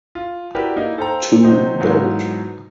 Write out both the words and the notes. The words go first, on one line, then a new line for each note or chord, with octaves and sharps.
Two don’t.
F4
E4 F#4 G4 A#4 B4 D5
A#3 D#4 E4 D#5
A4 C5 F5 G5 A#5
C3 F#3 D#4 C5
G#2 E3 F#3 B3 D#4 F4